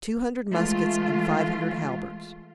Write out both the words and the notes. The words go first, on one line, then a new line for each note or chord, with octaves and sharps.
"Two hundred muskets and five hundred halberds."
E3 G#3 A3 F4